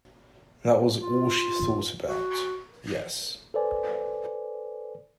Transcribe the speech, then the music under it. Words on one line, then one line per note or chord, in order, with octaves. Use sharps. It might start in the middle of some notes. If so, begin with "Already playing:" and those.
That was all she thought about, yes.
F4
F#4
A4 B4 C5 D5 G#5